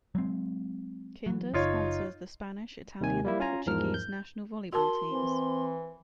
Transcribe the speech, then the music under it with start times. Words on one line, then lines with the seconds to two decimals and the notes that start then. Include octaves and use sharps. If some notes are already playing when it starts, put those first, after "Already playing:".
Kinder sponsors the Spanish, Italian and Portuguese national volleyball teams.
0.15 F#3 G#3 C4
1.26 E3 F#3
1.54 F#1 D#4 F4 C#5
3.01 D#2 C3 D#3 G#5
3.25 G3 A#3 E4
3.40 C#4 F4 G#5 A#5
3.66 E2 G#2 F3 A#4 F6
3.94 G6
4.73 F#4 A#4 A5 C6
5.11 E3 C4